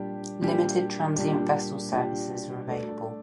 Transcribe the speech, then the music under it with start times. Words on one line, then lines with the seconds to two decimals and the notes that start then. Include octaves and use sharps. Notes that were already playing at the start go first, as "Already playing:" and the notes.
Limited transient vessel services are available.
Already playing: A#2 G3 D4 G4
0.41 A#2 G3 D4 G4
1.17 A#2 G3 D4 G4
1.92 A#2 G3 D4 G4
2.68 A3 D4 A4 D5